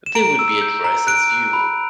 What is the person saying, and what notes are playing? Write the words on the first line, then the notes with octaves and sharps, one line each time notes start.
They will be addressed as vul.
E7
A#5 D7
E6
G6
A#5
F#6 D7
F#6
B5